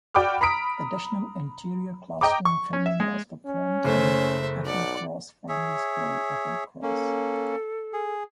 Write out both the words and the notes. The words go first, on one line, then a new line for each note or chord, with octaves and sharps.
Additional interior classroom filming was performed in Applecross Primary School, Applecross.
F#4 D5 G5 B5 D6 F6
A#5 B5 D#6 B6 D7
D#5 G5 A#5 D6
C#6
C#4
E5
G#3
C#4
F#1 A3 C5 E5
B1 D5 F#5
G#4 C#5 E5
A#3 C#4 A4
G#4